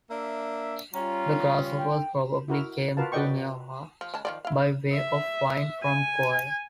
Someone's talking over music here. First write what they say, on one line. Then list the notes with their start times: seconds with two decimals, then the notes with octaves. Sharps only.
The grasshoppers probably came to Nihoa by way of wind from Kauai.
0.11 A#3 D4 E5
0.94 G3 C#4 F4 A#5
1.78 G5
2.48 E4 F#4 A#4
2.97 F4 F#4 A#4 B4 F5 A5
3.12 F#4 B4 D5 D#5 G5 C#6
4.01 F3
4.14 C#3 G#3 A5
4.25 D#3 F3 D5
4.45 E4 F5
4.93 E5
5.83 G#5